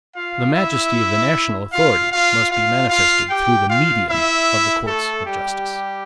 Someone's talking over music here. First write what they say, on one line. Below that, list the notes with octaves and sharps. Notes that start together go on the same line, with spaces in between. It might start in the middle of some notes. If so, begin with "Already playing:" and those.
The majesty of the national authority must be manifested through the medium of the courts of justice.
F4 F5
E4 E5
F4 F5
F4 F5
F4 F5
F4 F5
G4 G5
F4 F5
E4 E5
A3 A4
G3 G4